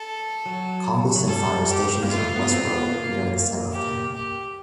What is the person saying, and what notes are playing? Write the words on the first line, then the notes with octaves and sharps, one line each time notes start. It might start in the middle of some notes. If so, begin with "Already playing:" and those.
Congleton Fire Station is on West Road, near the centre of town.
Already playing: A4
F#3
F#3
G3 A4
G4
A#3
A3 F4
B3
C4
B3
A#3
G4
G4